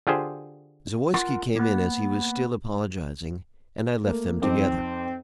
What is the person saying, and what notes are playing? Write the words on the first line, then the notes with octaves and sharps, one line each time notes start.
Zawoiski came in as he was still apologizing, and I left them together.
D3 F4 G4 G#4 C5
F4 A#4 F#5 C6
A#3 B3
A3 A#3
F2 C4 D#4 D6